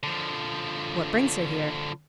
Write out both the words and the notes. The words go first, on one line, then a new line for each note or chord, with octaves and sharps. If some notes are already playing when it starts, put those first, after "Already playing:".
"What brings her here?"
D3 F3